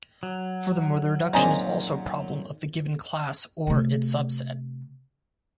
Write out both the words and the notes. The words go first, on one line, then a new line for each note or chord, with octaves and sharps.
Furthermore, the reduction is also a problem of the given class, or its subset.
F#3
F#2 A#2 D3 C4 D#4 G#4 G#5 A#5
C3 A3